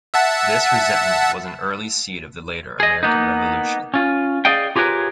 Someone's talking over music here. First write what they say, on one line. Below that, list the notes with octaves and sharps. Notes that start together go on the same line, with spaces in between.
This resentment was an early seed of the later American Revolution.
E5 F#5 A5
G#4 D#5
A#3 B3 D#4
C#4 F4
G#4 D5 D#5 F5 G5
F4 G4 G#4 A#4 B4 C#5